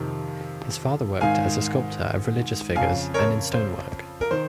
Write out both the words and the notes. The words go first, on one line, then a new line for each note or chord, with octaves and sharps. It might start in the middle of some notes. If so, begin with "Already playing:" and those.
His father worked as a sculptor of religious figures, and in stone work.
Already playing: F2 C3 D#3
G#2 D#3 F5 G#5
F2 C#3 F5 G#5
A#4 C#5
C5
A#4
D#3 C5